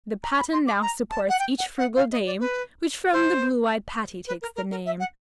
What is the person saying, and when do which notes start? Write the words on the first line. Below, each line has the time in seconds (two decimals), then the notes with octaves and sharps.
The patten now supports each frugal dame, Which from the blue-eyed Patty takes the name.
0.23 A#5
0.38 B5
0.53 C6
0.67 D6
0.82 A#5
1.10 A5
1.29 F#5
1.39 G5
1.59 F#5
1.78 F#5
1.97 F5
2.12 D#5
2.26 D5
2.40 B4
3.12 C5
4.27 B4
4.42 A#4
4.56 A#4
4.71 A#4
4.85 E5
5.00 F#5